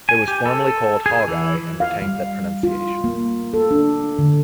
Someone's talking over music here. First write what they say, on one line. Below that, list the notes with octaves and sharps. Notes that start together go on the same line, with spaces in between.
It was formerly called "Hog-Eye" and retained that pronunciation.
G#5
G4
A4
G#4
E3
F5
G3
F4
A#3
A4
D4
D3